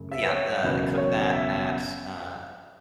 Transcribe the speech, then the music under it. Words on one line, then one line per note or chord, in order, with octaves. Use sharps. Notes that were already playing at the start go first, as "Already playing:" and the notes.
but, yeah, uh, cook that at, uh,
Already playing: F#2 C#3 A3
E5
B4
C#5
F#1 E2 B2 F#3 B3
C#5
E5